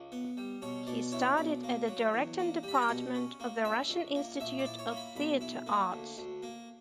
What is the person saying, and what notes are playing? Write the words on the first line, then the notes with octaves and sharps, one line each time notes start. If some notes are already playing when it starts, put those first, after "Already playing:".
He studied at the directing department of the "Russian Institute of Theatre Arts".
Already playing: C#2
B3
G3
B2 C#5
B2 D5
E4 C#5
B1 D5
A#3
F#3
E2
A#3
G3 B5
A#5
G5
B2 F#5
C#4
A#3
C#2 E5
C#2
A#3
A#1 E5
D5
E4
C#5
A#3
B5
B1 B5
E4
A#3
D2
D2
A#3